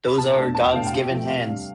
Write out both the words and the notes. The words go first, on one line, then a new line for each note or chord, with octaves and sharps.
Those are God's given hands.
B5
B2 A5
A3 D4
E2 A5
G5
B2 A3 D4 F5
G5
C3
F3 A3
C3 F5
G3 D4